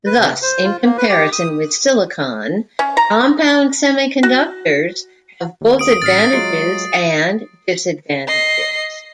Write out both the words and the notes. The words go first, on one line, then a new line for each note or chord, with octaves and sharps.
Thus, in comparison with silicon, compound semiconductors have both advantages and disadvantages.
B4
C3
C5
F4
A#3
B4
G4
D#6
C#4
A#5
F#4
D#2
D#6 D7
A1 F6 A6 B6 C7
F#3 G#3 F4 C7 D7
D#5 C7